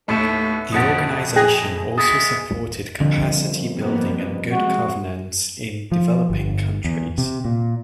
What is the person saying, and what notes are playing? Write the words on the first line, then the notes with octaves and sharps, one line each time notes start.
The organisation also supported capacity building and good governance in developing countries.
D#2 A2 A3 B3 E5
A#1 F2 F3 F#4 G4 F#5 D#6 A6
G#4 G5 F#6 A#6
G#3 B3 E4 D#6 A6
C2 F2 D3
C3 A#3 B3
G#3 F#4
F3
G1
E2
C3
A#2